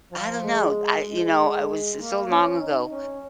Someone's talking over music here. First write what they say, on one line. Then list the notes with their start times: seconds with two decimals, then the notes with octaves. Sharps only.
I don't know. I you know, I was it's so long ago.
0.12 F3
0.43 G#3
1.06 G#3
1.98 A#3
2.29 C#4
2.60 D#4
2.91 C#4